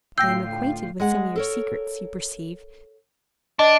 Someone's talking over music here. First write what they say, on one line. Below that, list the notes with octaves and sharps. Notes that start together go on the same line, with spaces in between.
I am acquainted with some of your secrets, you perceive.
A2 D3 F4 G5 E6 G6 A#6 C7
G#3 G#4 F#5
A4 A#4 C#5
D4 D#5